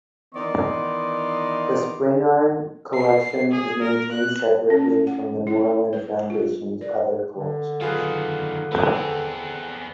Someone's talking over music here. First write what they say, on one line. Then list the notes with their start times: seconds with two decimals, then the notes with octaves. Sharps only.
The Spingarn Collection is maintained separately from the Moorland Foundation's other collections.
0.35 D#3 E3 B3 D5 D#5 C6
2.94 C7
3.51 G#4
3.82 A#4
4.12 F#6
4.70 C#4
5.07 F#5
5.47 E4
5.93 B4
6.30 F4
6.81 D5
7.36 D3
7.81 D#3 F#3 F4 G#4 B4
8.72 G#3 C4 A4 B4
8.94 B3 G#4